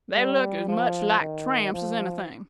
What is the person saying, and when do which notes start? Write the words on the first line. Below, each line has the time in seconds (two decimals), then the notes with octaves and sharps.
They looked as much like tramps as anything.
0.16 G3
0.69 F3
1.21 D#3
1.74 F3